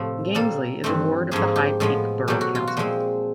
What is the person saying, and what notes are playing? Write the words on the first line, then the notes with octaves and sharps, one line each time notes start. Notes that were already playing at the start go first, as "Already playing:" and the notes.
Gamesley is a ward of the High Peak Borough Council.
Already playing: A2 C3 F3 A3 A4
A#2 G3 A#3 A4
G2 E3 A3 C4
G#2 F3 A#3 G#4
G4
A2 F3 G#3 B3
B2 F#3 A3 G4
F#4
F4
F#4
A#2 F3 G#3 C4